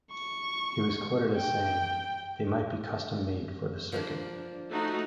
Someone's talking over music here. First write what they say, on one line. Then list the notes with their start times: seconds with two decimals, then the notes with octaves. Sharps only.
He was quoted as saying, They might be custom made for the circuit.
0.12 C#6
1.37 G5
3.92 F3 A#3 D4
4.70 A3 D#4 F#4